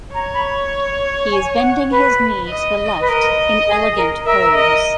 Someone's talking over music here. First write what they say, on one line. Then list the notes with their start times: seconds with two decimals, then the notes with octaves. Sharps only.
He is bending his knee to the left in elegant pose.
0.14 C#5 A#5
0.34 B5
1.32 G#5
1.62 F#5
1.91 B4
2.49 D#5
3.01 B4
3.09 A#4 D#5
3.67 G#4
3.96 A#4
4.25 A#4 E5
4.55 D#5